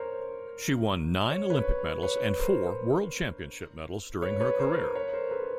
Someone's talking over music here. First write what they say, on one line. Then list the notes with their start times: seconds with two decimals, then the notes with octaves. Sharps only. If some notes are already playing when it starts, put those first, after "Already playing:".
She won nine Olympic medals and four World Championship medals during her career.
Already playing: A#4 C5 C#5
1.31 C#5
1.50 B4 C#5
2.03 B4 C#5
2.39 A#4 C5
4.22 B4 C#5
4.40 B4 C#5
4.59 A#4 C5
4.76 A#4 C5
4.95 B4 C#5
5.13 A#4 C5
5.31 A4 B4